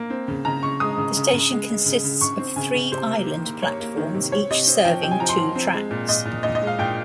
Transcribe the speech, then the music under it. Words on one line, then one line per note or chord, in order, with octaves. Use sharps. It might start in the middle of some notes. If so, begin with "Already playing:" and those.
The station consists of three island platforms, each serving two tracks.
Already playing: A#3
C4
C#3
C#3 A#5
C#3 C#6
G#3 D#6
C#3
C#3
C#3
G#3
G#3
C#3
C#3
C#3 C#6
C4
C#3 G#5
C#3
C3 C5
A#3
D#3
A#3
A#3 C#5
A#3
D#3
C3
C4 C#5
C3 D#5
C4
F3 G5
C3 G5
G#5
F3 A#5
C6
F3
C4
G#3
A#2
A#2 D#5
A#2
A#2 D#5
D#5
G#3
F5
A#2 G5